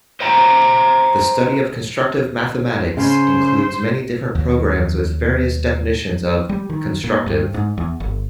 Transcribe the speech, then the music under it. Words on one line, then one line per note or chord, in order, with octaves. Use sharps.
The study of constructive mathematics includes many different programs with various definitions of "constructive".
C5 D#5 G5 A#5
C#3 C5 C6
D#2 F#3
G3
D#3
A#2
G2
G#2
E2
G1